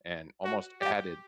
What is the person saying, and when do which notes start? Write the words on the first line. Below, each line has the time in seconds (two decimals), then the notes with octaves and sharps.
and almost added,
0.45 F#4
0.81 G4